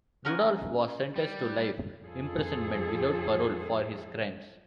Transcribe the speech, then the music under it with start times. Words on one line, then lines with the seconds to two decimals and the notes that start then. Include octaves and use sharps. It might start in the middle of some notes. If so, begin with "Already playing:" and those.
Rudolph was sentenced to life imprisonment without parole for his crimes.
0.25 C#4 F4 A#4 F#5 G#5
1.16 G3
2.02 F2 F4 G#4 A4